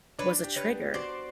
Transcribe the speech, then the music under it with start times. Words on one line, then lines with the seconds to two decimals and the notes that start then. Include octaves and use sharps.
was a trigger."
0.19 D4 B4 C#5
0.44 G4
0.56 B4 C#5
0.69 B3
0.94 F#4 C5 D5